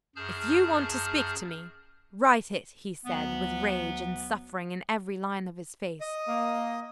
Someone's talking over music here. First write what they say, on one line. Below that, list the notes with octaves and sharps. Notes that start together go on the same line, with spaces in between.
"If you want to speak to me, write it!" he said, with rage and suffering in every line of his face.
F#2 G#4 A5 F6 G6
D2 F#3 B3
D#5 D#6
A#3